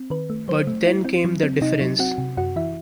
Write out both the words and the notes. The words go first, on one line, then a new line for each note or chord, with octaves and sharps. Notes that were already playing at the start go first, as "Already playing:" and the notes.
But then came the difference.
Already playing: C4
D#3 B4
A3
F#3 C5
A3
E4
C4
F#3
C4
C3 D#4 D#5
F#3
C4 F#4 F#5
C3
F#2 F#4 F#5
E3 E4 E5